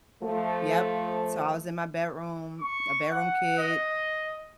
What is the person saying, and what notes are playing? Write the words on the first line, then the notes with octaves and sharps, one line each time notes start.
Yep. So I was in my bedroom, a bedroom kid.
F3 A3
C#6
F#5
D#5